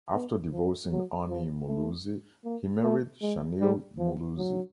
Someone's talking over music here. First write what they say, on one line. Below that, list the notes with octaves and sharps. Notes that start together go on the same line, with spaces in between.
After divorcing Annie Muluzi, he married Shanil Muluzi.
B3
F3
F#3
F3
A3
A#3
A3
G#3
G3
F3
F#3